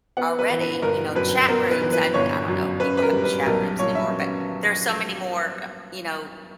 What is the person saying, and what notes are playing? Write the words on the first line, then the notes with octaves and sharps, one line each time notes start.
already, you know, chat rooms, I I don't know if people have chat rooms anymore, but there are so many more, uh you know,
B3 F#5
B4
E3
B4
G1 A#4
F#2 B4
B3 A#4
B4
E3
B4
G1 C#5
F#2
C#4 B4
B4
A#4
G3
B4
B1 A#4
A#2 C#5
E5
C#4